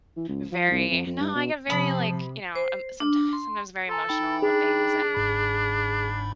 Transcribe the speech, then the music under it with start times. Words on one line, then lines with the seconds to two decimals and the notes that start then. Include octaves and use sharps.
very no, I get very, like, you know, um, sometimes sometimes very emotional with things and
0.17 E3
0.28 C#2
0.51 F3
0.70 C2
0.91 F2
1.06 F2
1.20 G2
1.35 B2
1.70 C3 F3 B5 D#6
2.56 C5
3.00 D4
3.33 C6
3.89 A4 G#5 A#5 C6
4.09 D#4 G5 B5
4.42 D4 G#4
5.14 G1 G#2 B5